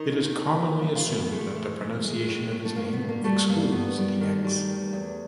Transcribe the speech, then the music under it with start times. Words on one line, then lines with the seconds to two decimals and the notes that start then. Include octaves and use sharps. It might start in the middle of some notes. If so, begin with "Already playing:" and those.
It is commonly assumed that the pronunciation of his name excludes the 'x'.
Already playing: D#3 D#4
0.11 D#2
0.34 D#2
0.58 D#2
0.82 E3 E4
0.95 F4
1.07 A2 E4
1.19 B3
1.27 A#3
1.31 G#3 A3
1.55 E3
1.79 E3
2.04 G#3
2.28 A2
2.51 A2
2.65 A3
2.76 G2 A#3
2.93 B3
3.01 G2
3.09 A#3
3.24 G3 A3
3.49 G2 A#3
3.72 G2 B3
3.97 G3
4.20 D#3 A3
4.44 G3
4.69 E2
4.93 E2